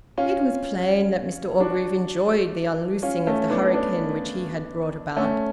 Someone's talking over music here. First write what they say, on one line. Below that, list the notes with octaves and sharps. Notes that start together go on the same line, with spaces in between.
It was plain that Mr Orgreave enjoyed the unloosing of the hurricane which he had brought about.
C#4 F4
D4 F#4
C#4 F4
A3 C#4
B3 D4
B3 D4
A3 C#4